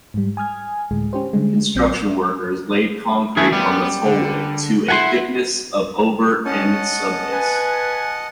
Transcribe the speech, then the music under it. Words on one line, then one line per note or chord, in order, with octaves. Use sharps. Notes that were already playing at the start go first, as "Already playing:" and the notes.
Construction workers laid concrete on the tollway to a thickness of over an sub-base.
G#2 G3
G#5 D#6 F6 G#6
D2 A2 G#3
C#4 G4 C5
D3 G3 G#3
A#1 F#3 C4 G6
E3 A3 E4 G#4
G3 B3
D3
E4 F#5 G#5 C6
C#4 D#5 F#5 A5
B4 G#5